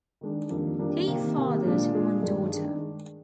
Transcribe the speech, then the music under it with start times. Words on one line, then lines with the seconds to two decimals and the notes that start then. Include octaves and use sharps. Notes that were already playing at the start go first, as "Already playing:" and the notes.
He fathered one daughter.
0.21 D#3 G#3 D4
0.50 F2 D#3 G3 A#3 D4
0.79 F2 D#3 G3 A#3 D4
1.07 C3 D#3 A#3
1.36 C3 D#3 A#3
1.65 A#2 G#3 D4
1.94 A#2 G#3 D4
2.23 G2 D#3 G#3 D4
2.53 D#3 G#3 D4